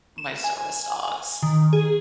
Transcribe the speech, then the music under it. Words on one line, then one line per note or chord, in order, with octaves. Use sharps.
my service dogs
E7
G#5
D#3
G#4